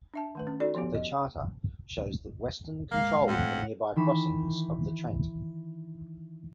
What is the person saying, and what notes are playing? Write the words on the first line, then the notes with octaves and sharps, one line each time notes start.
The charter shows that Weston controlled the nearby crossings of the Trent.
D4 E5 A5
D#3 A3 B4
C#4
D#4 F#4 A4 D5
F3 B3 G4
D#5
G#3 A#3 F5
F2 A2 F#5
D#3 E3 B5 E7